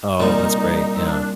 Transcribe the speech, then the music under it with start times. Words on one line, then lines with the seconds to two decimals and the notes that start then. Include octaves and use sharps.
Oh, that's great, yeah.
0.20 C2 A#2 G3 D#4
0.94 C4
1.06 D4